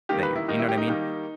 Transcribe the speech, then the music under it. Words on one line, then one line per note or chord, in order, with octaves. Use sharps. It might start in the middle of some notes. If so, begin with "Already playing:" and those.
that you're you know what I mean?
D#3 G3 A#3 G4
B4
E4
D#3 G3 A#3 D#4
E4
G4
D#4
D#3 G3 A#3